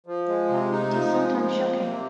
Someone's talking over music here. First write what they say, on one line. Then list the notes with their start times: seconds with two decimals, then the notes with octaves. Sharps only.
It is sometimes shocking.
0.07 F3
0.28 G#3
0.50 C3
0.71 D#4
0.93 F3
1.15 G#3
1.36 F3
1.58 A#3
1.79 C3